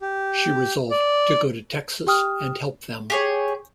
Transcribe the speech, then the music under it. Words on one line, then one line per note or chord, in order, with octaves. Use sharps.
She resolved to go to Texas, and help them.
G4
D5
G4 G5 D#6 F6
G4 G#4 C#5